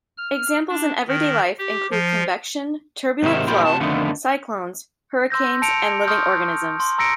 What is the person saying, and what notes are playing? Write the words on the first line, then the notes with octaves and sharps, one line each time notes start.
Examples in everyday life include convection, turbulent flow, cyclones, hurricanes and living organisms.
F6
D4
D#3
G4
F3
G#2 C3 D#3 E5
A#2 D#4 F4 G4 A#4 B5
C3 A5
F2 D3 D#3 A3 B3
C6 E6 G6 A#6
A5 C#7 D7 F7
C6 C#6 D#6 F6 G6
C6
A#5 E6 A#6 C#7 D7